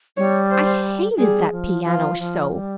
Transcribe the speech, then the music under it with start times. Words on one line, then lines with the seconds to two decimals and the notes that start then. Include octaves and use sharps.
I hated that piano so!
0.17 G3 C#5
0.51 C5
1.17 G3 G#4
1.52 F3
1.85 F3 F4
2.19 F3
2.52 G3